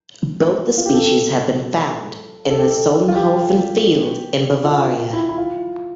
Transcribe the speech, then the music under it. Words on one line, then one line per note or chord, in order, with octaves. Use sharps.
Both the species have been found in the Solnhofen field in Bavaria.
F4
G4
A4
A4
G4
A4
F4
G4
F4
E4
E4
F4